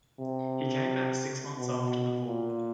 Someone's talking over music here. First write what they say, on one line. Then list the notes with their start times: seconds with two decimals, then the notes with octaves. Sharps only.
He came back six months after the fall.
0.20 C3
1.58 B2
2.27 A#2